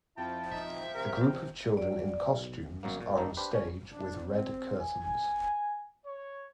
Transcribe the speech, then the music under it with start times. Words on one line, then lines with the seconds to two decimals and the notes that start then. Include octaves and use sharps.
A group of children in costumes are on a stage with red curtains.
0.17 F2 F3 E4 G5 A5
0.52 D#4 E5
0.95 C3 A#4
1.77 F#3 D5
2.26 B1
2.83 G1 F#2 F#3 A#3
3.01 A#2
3.17 F#2 D#3 A#3 D#4 A4
3.37 D4 G4 B4 C5
3.53 D3 C#4 C#5
3.94 D4
4.30 C4
4.79 G#5
6.06 C#5